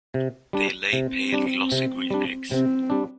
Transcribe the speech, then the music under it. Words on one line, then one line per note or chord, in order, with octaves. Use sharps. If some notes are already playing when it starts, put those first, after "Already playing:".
They lay pale glossy green eggs.
C3
G3 D4
C3 C4
G3 D4
C3
G3 D4
C3 C4
G3 D4